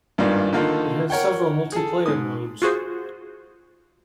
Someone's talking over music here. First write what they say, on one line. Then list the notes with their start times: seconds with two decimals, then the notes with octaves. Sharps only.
It has several multiplayer modes.
0.18 G#1 G2 A#3 F4 D5
0.53 D3 D#3 A#3 D#4 F4 A4
1.10 A#4 C#5 F#5 G5
1.72 G#4 A4
2.06 G#2 D#6
2.62 F4 F#4 G#4 C5